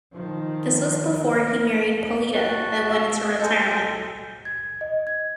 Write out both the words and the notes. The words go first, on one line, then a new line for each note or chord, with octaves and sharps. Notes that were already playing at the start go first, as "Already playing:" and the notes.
This was before he married Polita then went into retirement.
D#3 F3
F#4 A5
E5 F5 E6
G#3 A4 C5 G#5
G#6
D#5
G#6